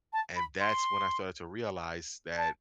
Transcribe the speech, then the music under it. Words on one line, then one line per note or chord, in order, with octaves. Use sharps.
and that's when I started to realize that
A5
B5
C6
A5